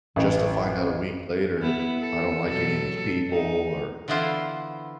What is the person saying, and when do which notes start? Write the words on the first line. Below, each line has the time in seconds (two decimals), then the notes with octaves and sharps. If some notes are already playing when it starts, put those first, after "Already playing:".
just to find out a week later, I don't like any of these people or
0.16 A1
1.62 B3 E4
1.99 A4
2.48 B2 F#3 A4
3.31 D#4
4.08 D3 E3 B3 E4 F4 C5